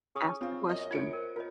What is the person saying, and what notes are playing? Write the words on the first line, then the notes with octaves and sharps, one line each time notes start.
ask the question.
C#4 G#4 C#6 D#6
C#3 C4 F4
F#2 D#5
F4 G#6 C#7 D7
A#4 C5
F4 A#4 C#5 D#5